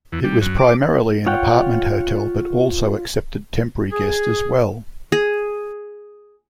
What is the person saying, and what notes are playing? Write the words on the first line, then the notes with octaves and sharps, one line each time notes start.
It was primarily an apartment hotel, but also accepted temporary guest as well.
E2
G3
F#2
D6
F4 C#5 F#5 G5
G#4
G#4